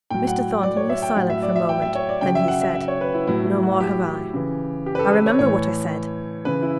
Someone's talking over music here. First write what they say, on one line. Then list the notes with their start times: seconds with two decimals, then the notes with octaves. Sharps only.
Mr. Thornton was silent for a moment; then he said: 'No more have I. I remember what I said.
0.10 A2 F#3 G5
0.28 F#5
0.63 D5
0.77 C#5
0.89 E5
1.02 G5
1.16 A2 F#3 F#5
1.30 E5
1.42 D5
1.56 E5
1.69 G5
1.82 E5
1.95 C#5
2.09 D5
2.21 C#3 F#3 G5
2.35 E5
2.48 F#5
2.61 E5
2.75 E5
2.88 C#5
3.01 B4
3.15 E4
3.27 A2 F#3 E4
3.45 E4
3.63 F#4
3.80 G4
4.34 C#3 E3
4.86 G4
4.95 B4
4.99 A4
5.13 B4
5.26 C#5
5.39 A2 E3 C#5
6.45 C#3 E3 B4
6.63 E4